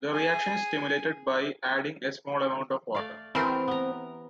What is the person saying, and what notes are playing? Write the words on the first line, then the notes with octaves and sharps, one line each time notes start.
The reaction is stimulated by adding a small amount of water.
G#4 G#5
A3 D5 F5
E3 C4 E4 F#4 G4 A#4
B3 A#5